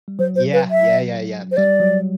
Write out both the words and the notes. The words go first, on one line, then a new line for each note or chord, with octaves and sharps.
Yeah. Yeah, yeah, yeah, man.
G3
F#3 C5
C5
B4
E5
C5
G3 D5
F#3